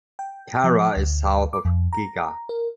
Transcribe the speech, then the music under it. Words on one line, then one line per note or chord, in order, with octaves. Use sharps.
Cara is south of Gigha.
G5
F3
D2
D6
F2
A#5
A#4